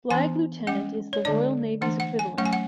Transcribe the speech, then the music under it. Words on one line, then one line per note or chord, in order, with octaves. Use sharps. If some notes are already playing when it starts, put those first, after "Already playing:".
Flag lieutenant is the Royal Navy's equivalent.
E3 B3 D4 G#5
G#3 C#4 F#5
C#5
D3 G#3 D4 D5
E3 A3 D4 F#5
F#5
G#5
F#3 A3 C#4 F#5
G#5
F#5